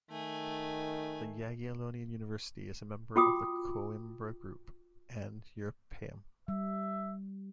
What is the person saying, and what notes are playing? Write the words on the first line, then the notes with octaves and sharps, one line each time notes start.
The Jagiellonian University is a member of the Coimbra Group and Europaeum.
D#3 A3 G#5
F4 F#4 G5 B5 D6 D#6
G3 E5